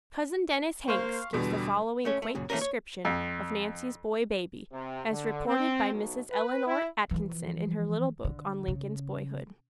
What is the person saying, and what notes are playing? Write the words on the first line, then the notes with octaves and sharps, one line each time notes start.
Cousin Dennis Hanks gives the following quaint description of "Nancy's boy baby," as reported by Mrs. Eleanor Atkinson in her little book on "Lincoln's Boyhood."
A#3 C5 F5 C6 C#6
E2 B2 D3 G3
A3 C#4 C#5
A3
F#2 A#2 C#3
E3 A3 A#3 C#4 A#4
C#5
F2
C3
D3
C4
B1
B4
E4
E3 F3
D3
C#3